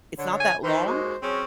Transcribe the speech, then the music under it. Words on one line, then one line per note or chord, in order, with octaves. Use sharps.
it's not that long,
D3 C#5
G#5
D#3 E3 D#4 C5
D#2 G#3 F#4
F#3 C4 C#4 G#4